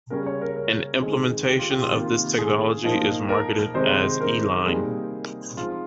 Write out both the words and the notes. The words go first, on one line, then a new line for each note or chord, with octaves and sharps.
An implementation of this technology is marketed as E-Line.
C#3 G3 C#4 A#4
C#5
A#4
A#4
D#3 G#3 C4 D#4 G#4
G4
F4
G4
F4
C3 D#3 A#3 F4
G#4
F3 A#3 D#4
A#4
C3 D#3 G#3 D#4 C5
A#4
C3 G3 A#3 D#4 G#4
F3 G#3 C4 D#4 F4